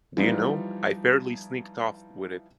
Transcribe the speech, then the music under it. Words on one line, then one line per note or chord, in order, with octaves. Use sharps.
Do you know, I fairly sneaked off with it.
E3 F3 G3 D#4